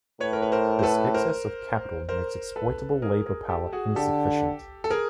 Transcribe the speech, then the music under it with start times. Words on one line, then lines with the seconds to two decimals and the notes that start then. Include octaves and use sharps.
This excess of capital makes exploitable labor-power insufficient.
0.20 A2 B4 C#5
0.33 A#4
0.42 B4
0.52 A#4 C5
0.79 C5
0.83 A4 B4
1.14 A#4 C5
2.09 A#4 C5
2.56 A4 B4
3.02 G#4 A#4
3.26 G#4 A#4
3.49 G4 A4
3.73 F#4 G#4
3.96 D3 G4 A4
4.84 A4
4.90 G#4 A#4